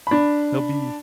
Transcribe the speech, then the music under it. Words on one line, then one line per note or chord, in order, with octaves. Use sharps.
He'll be
D4 B5